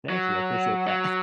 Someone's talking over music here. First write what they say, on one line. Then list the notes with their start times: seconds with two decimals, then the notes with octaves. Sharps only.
Thank you, I appreciate that.
0.09 F#3
0.87 F#3